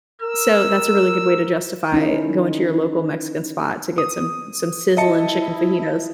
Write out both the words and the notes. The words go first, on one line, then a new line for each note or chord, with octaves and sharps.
So, that's a really good way to justify going to your local Mexican spot to get some some sizzling chicken fajitas.
A#4 E6
C#4 D#4 E4 A#4
D#6
E4 D#5 E5 A5 C#7